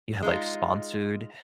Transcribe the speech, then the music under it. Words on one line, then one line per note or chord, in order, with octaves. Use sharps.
you have, like, sponsored,
G#3 D#4 F4